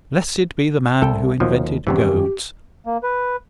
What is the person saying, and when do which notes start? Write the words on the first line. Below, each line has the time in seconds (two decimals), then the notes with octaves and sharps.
Blessed be the man who invented goads!
1.02 C2 A4 G5
1.40 D#2 D#3 F3 F#3
1.87 E2 G2 C3 D#3 E3 C#4 G4
2.86 A#3
3.03 B4